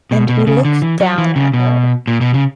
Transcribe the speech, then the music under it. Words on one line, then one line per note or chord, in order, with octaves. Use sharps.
And he looked down at her.
B2
B2
C#3
D3
E3
F#3
E3
C#3
B2
A#2
B2
C#3